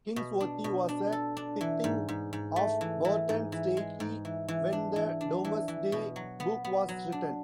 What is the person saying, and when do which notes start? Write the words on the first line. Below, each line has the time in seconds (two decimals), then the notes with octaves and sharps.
Kings Worthy was a tithing of Barton Stacey when the Domesday Book was written.
0.16 B2
0.40 D4
0.64 B2
0.89 D4
1.12 A4
1.37 D4
1.61 E3
1.84 G#2
2.09 G#2
2.33 G#2
2.56 A3
2.81 E3
3.05 E3
3.29 G#2
3.52 E3
3.77 G#3
4.00 G#2
4.25 E3
4.48 E3
4.73 D4
4.96 E3
5.21 D4
5.45 E3
5.68 E3
5.92 B2
6.16 F#3
6.40 B3
6.65 B3
6.89 F#3
7.12 D4